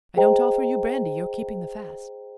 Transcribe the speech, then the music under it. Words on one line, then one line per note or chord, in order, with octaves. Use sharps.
I don't offer you brandy, you're keeping the fast.
G#4 C5 D#5 G5 A#5